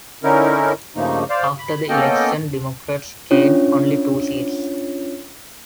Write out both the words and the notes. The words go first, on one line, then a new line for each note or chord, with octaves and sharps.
After the election, Democrats gained only two seats.
D3 C#4 D#4 E4 A#4
G2 C#3 F3 A3 A#3 D#4
C5 D5 F5
B5
A#3 B3 C#4 A4 D#5 G5
C#4 D4 F4 C#5